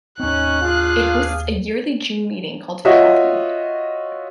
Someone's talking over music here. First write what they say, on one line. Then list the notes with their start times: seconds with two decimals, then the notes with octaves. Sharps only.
It hosts a yearly June meeting called Trothmoot.
0.20 D#2 C4 C#4 D#4 F#6
0.62 D4 F4 G#4 F5
2.85 F4 F#4 C#5 D#5 E5